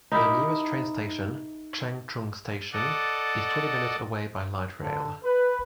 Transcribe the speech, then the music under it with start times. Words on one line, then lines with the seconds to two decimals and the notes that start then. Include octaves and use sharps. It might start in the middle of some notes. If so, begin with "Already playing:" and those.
The nearest train station, Changchun Station, is twenty minutes away by light rail.
0.12 D#4 E4 G4 A#4
2.72 A4 D5 D#5 F#5
4.80 D3
5.24 B4